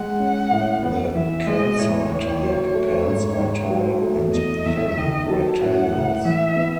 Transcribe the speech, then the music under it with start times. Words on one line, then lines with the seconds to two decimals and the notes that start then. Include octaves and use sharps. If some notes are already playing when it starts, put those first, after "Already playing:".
The Kansai-type pans are tall-and-thin rectangles.
Already playing: G#3 F#5
0.20 C#4
0.51 A2
0.83 B3
1.15 E3 E5
1.47 G#3 D#5
1.78 A2 C#5
2.11 E4
2.42 F#3
2.74 A3
3.06 G#2
3.38 G#2
3.70 F#3
4.02 A3
4.34 E2 D#5
4.66 E2 E5
4.97 D#3 D#5
5.29 F#3 A4
5.61 A2 F#5
5.93 A2
6.25 E3 E5
6.56 B3